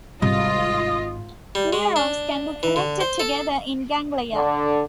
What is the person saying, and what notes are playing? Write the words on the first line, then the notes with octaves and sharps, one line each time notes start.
Neurons can be connected together in ganglia.
G#1 G#2 C3 G3 F4 D#5
G3
G#3
D4
E3
D3
C5
A4
D3